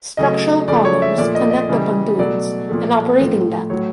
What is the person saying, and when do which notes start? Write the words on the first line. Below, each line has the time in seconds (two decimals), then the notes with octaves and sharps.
Structural columns connect the pontoons and operating deck.
0.17 C#3 F#3 A3 D#5
0.68 C#3 F3 A3 D5
0.85 C#5
1.02 E5
1.18 A#2 F3 A3 D5
1.35 D#5
1.51 D#5
1.69 C#3 E3 G3
2.18 B2 F#3 A3 D5
2.69 A#2 F3 A3
3.20 A2 F3 A3
3.70 A2 F#3 A3 C#5